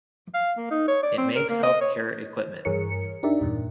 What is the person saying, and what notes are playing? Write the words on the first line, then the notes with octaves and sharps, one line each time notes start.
It makes health care equipment.
F5
A#3
D#4
C#5
D5
C4
A#4
A#3
D#5
C#5
G2 E3 G#4 A#4 C#5 C#7
D4 D#4 G4 A#4 D5 E5
E2 G2 A#2